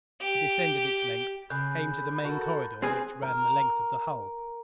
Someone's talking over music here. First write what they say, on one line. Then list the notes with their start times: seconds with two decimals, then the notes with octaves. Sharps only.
We descended its length, came to the main corridor, which ran the length of the hull.
0.22 G4
1.50 C#3 B5 F#6 G6
2.23 F#4 A4 A#4
2.82 C4 G#4 B4
3.22 A#4